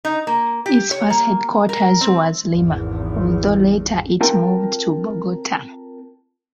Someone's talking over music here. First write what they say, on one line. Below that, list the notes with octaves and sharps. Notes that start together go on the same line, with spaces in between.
Its first headquarters was Lima, although later it moved to Bogota.
D#4
A#3
G4
C#5
A#3
A#4
C4
G#1 E2
C4 F4 A4 A#4 G5 A5